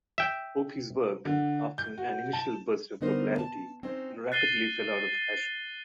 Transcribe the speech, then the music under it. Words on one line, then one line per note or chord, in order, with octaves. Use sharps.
Opie's work, after an initial burst of popularity, rapidly fell out of fashion.
E5 G5
D3
G6
F#4
A5
D3 G3 B3 D#4 A#4 C5
A5
C4 C#4 D#4 C5
F#6 A6 C7 D#7 G7